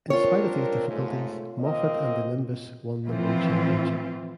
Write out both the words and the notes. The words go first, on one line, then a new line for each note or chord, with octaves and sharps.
In spite of these difficulties, Moffat and the Nimbus won the World Championship.
C4 D4 F4 A#4 C#5
G#2 A3
A#3 C4 D#5
A2 E3 F3 C4 F4